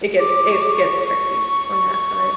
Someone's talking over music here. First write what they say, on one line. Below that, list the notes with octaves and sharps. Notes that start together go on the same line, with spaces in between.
it gets it's gets tricky on that front,
D6
C#6
D6
C#6